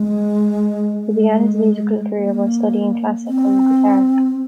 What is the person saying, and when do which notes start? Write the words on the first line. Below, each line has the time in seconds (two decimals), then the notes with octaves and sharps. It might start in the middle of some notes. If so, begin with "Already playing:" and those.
He began his musical career by studying classical guitar.
Already playing: G#3
1.03 G#3
2.15 A#3
3.28 C4